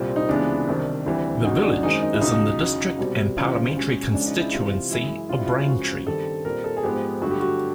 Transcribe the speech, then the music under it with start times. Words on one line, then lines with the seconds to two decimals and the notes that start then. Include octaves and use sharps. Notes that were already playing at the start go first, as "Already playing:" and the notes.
The village is in the district and parliamentary constituency of Braintree.
Already playing: C2 A#2 G3 C4
0.16 D#4
0.29 C#2 C3 E3 G#3 B3 D4
0.67 C2 C3 D#3
1.06 D2 C3 E3 G3
1.44 E2 C#3 F#3 D#4
1.63 D4
1.82 F#2 D#3 G#3 C4 D#4
2.02 D#4
2.13 E4
2.21 C#2 B2 G#3 D#4
2.60 E2 C#3 F#3
2.98 C2 B2 G3 C4
3.37 C#2 C#3 E3 G3 C4 F4
3.75 C#2 B2 G#3 C#4
4.14 C#2 C#3 F3 G#3 D4
4.26 D#4
4.40 E4
4.52 C3 E3 G3 F4
4.91 F#2 C#3 E3 G#3 E4
5.29 C#2 B2 G3 C4 F4
5.38 E4
5.46 F4
5.68 F#2 C#3 F3 G#3 F#4
6.07 G2 D#3 G3 C4 A4
6.45 A#2 G3 C4 A#4
6.64 A4
6.77 G#4
6.83 G#2 F3 G#3 B3 G4
7.22 G2 D3 F#3 A3 F#4
7.31 G4
7.41 F#4